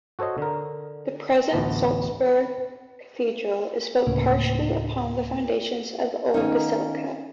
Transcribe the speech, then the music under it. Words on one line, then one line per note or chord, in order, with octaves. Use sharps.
The present Salzburg Cathedral is built partially upon the foundations of the old basilica.
F#4 A4 C5 C#5 D#5
D3 A#4
A1 D2 B3 A5
B4
D2 A2 C#3 A#3
D#3 A#3 B3 C#4 D#4